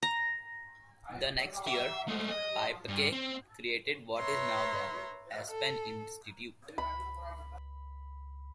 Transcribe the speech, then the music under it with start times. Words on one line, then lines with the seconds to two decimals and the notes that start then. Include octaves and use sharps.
The next year, Paepcke created what is now the Aspen Institute.
0.03 A#5
1.67 E5
2.08 G#3 A3
2.31 D#5
2.88 G2
3.12 C4
4.19 B4 C#5 E5 A#5 C6
5.51 A4
6.78 C#2 B5